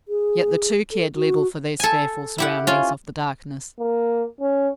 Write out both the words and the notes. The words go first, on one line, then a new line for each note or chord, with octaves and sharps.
Yet the two cared little for these fearful surroundings of the darkness.
G#4
A4
F#4
A4 G#5
E4 G4 F#5
C#4 F4
A#3
C#4